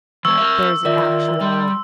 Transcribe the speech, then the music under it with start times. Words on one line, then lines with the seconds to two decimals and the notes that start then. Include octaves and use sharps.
there's an actual
0.25 E3 G#3 C#6 E6
0.38 A#4 E5
0.85 D#3 F4 A#4 D5 E5
1.41 G3 C6